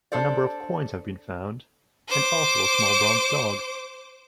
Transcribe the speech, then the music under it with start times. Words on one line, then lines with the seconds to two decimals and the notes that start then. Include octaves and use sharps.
A number of coins have been found and also a small bronze dog.
0.12 D4 A4 C5 D5
2.08 C5 D6